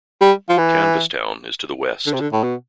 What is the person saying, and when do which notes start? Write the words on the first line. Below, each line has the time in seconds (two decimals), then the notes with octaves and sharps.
Canvastown is to the west.
0.21 G3
0.49 F3
0.58 E3
2.06 D3
2.13 C3
2.21 D3
2.33 A2
2.44 B2